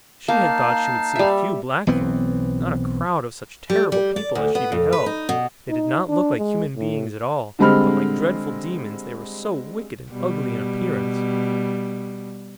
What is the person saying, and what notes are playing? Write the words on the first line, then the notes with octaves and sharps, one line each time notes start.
She had thought she would see a few Black folk, not a crowd of such terrible people as she beheld. They did not look like human beings at all, but like dreadful demons, they were so wicked and ugly in appearance.
A#3 D#4 F5 A5
G3 E5
B1 E3 B3 C4
G3
G3
D5
D2
B3
F2
B4
D#4
B2
D#4
D4
G#3
A2
D3 G3 G#3 C4 B5 F6
B2 G3